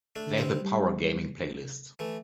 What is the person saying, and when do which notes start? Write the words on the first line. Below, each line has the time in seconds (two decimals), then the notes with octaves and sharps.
Play the Power Gaming playlist.
0.16 A3 D4
0.27 D3
0.38 G3 C4
0.61 G3
0.96 G3
1.99 E3 A3